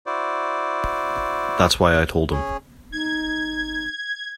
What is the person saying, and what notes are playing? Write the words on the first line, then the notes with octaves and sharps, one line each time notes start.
That's why I told him.
E4 F#4 C5 D5
C#4 G#4
D#4 G#6